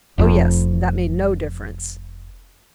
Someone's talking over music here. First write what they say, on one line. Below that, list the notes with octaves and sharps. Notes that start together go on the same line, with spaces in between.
"Oh, yes; that made no difference."
F1 F2